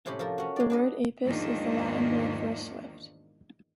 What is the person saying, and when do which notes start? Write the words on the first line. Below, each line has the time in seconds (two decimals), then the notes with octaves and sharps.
The word "apus" is the Latin word for a swift.
0.06 A2 C3 C#4 G4 B5
0.19 F3 A4 A#4
0.38 C#4 F#4
0.56 G#3 D5
0.70 D4 B4 D#5
1.23 E2 G#2 D#3 F3 A#3 D4